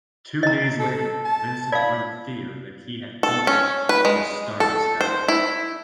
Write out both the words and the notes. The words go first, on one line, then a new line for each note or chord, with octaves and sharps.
Two days later, Vincent wrote Theo that he had painted "a starry sky".
D#5 A#5
A4
A5
D5 F5 B5
A4
C#4
B4
G#3
A4
C5
E4